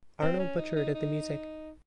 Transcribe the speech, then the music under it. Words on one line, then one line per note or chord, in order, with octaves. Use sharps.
Arnold Butcher did the music.
C4
C#4
D#4
D#4
D#4